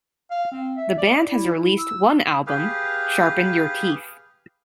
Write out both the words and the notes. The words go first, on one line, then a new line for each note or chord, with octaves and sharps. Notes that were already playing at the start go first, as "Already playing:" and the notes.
The band has released one album, "Sharpen Your Teeth".
F5
C4
E5
D5
E4
E6
G4 G#4 B4 F5